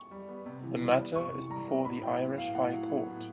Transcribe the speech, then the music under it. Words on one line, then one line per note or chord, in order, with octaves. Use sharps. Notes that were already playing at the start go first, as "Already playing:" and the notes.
The matter is before the Irish High Court.
Already playing: C#6
G3
B3
C3
E3
G3
B3
C3 C#6
E3
G3 A#5
B3
A2 B5
F#3 G5
B3
A2 F5
A2 F#5
F#3
B3
A2